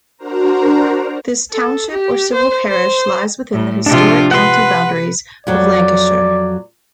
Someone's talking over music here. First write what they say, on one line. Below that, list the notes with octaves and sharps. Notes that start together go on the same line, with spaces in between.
This township or civil parish lies within the historic county boundaries of Lancashire.
D4 F#4 A#4 C5 A#5
A4
G4
C5
C5
A2
C3 F3 D4 F4
B4 F#5 C6
F2 F#3 D5